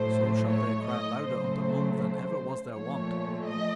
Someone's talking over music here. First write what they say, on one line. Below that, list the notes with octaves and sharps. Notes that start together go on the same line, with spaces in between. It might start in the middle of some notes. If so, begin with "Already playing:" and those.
So shall they cry louder unto Mung than ever was their wont.
Already playing: A2 F#3 A3 C5
C#5
D#5
C#3 F#3 A3 C5
C5
A#2 F3 A3 C#5
D#5